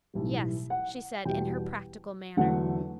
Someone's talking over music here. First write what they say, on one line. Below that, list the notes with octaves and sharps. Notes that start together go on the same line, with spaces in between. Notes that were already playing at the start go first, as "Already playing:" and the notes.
"Yes," she said, in her practical manner.
B1 A2 E3 G3
F#5
E2 B2 G3 G5
E2 D3 F#3 A3 F#5